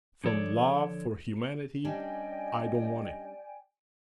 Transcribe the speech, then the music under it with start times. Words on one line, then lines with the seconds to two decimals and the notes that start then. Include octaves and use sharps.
From love for humanity I don't want it.
0.24 D3 F3 A4 C#5 D5
1.85 G3 C#4 D4 D5 D#5 G5 G#5